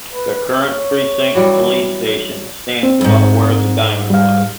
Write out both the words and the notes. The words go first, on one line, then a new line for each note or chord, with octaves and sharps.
The current precinct police station stands about where the diamond was.
B4
C#5
E3 F#3 G3
C4
F2 G#2
G3 F5